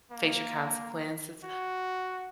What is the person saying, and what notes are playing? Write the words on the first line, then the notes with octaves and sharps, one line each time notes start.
face your consequences,
A#3
F#4